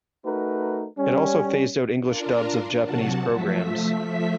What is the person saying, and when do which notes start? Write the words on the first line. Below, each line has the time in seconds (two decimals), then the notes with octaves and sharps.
It also phased out English dubs of Japanese programs.
0.25 A3 D#4 F#4 A#4 B4
0.98 G3 C#4
2.03 D4 F4 A#4
2.83 C3 F#3 F#4 F#5 A5
3.30 F3 A3 E5 B6